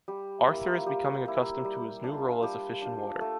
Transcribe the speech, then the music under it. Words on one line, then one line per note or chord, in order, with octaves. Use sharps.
Arthur is becoming accustomed to his new role as a fish in water.
G3 G4
A#3 E4
F4
G3 G4
A#3 E4
G3
D4 F4
F4
G3 G4
D4 F4
A3 A4